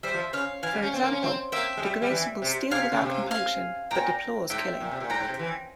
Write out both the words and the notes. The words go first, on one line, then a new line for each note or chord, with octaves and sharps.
For example, diGriz will steal without compunction, but deplores killing.
G3 C5 E5
F3
C#3 C#5 F5
E3 F5 G#5
G3
C#4
C4
A#3
C#4
C4
A#3 E5 G5
G#3
G3
G3
E3
C3
C3 F5 G#5
C#3
C3
F5 G#5
A#2 G5 A#5
G#2 E5 G5
A#2
C3
A#2
G#2 G5 A#5
G#2
C3
E3